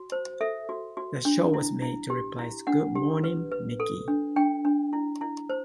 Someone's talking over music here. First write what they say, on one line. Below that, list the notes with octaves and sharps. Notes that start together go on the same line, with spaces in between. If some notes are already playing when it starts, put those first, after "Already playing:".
The show was made to replace "Good Morning, Mickey!".
Already playing: F#4
C5
A4 E5
F#4
F#4
D4
E4
E4
G4
E4
D4 F#5
G4
B4
B4
A4
D4
D4 G5
D4
E4
E4
C5